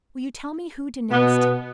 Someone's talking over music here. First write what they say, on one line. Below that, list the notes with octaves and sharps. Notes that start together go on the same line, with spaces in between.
"Will you tell me who denounced him?"
B2 B3